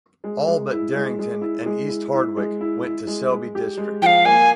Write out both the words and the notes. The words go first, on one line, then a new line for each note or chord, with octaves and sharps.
All but Darrington and East Hardwick went to Selby district.
G#3
G#3
E4
G#3
G#3
E4
G#3
E4
E4
G#3
E4
E4
G#3
G#3
G4
G#3
F3 F5 G5
A#3 G#5